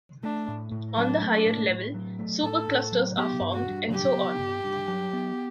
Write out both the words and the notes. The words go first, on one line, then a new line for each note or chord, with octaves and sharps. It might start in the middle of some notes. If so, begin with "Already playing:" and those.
On the higher level, superclusters are formed, and so on.
A3 D4
A2
A2
F#3 D4
A3
D4
A2
A2
F#3
A3
A2 A4
A2
F#3
B3 G4
G2
F#4
G2
F#3 G4
B3
G2
G2
F#3
B3